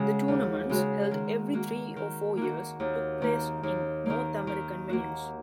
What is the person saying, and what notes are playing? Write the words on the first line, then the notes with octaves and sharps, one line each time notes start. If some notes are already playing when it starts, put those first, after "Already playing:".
The tournaments, held every three or four years, took place in North American venues.
Already playing: C#3 G#3 F#4
D#2
C#3 G#3 F#4
D#3
A#3 F#4
D#3
A#3 F#4
D#2
D#3 A#3
D#2
D#3 A#3
D#3
A#3 F#4